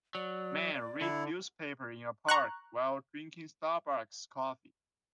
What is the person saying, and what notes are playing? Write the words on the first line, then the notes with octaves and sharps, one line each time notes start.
Man reads newspaper in a park while drinking Starbuck 's coffee.
F#3 D5
D3 E4
A#5 C#6 F#6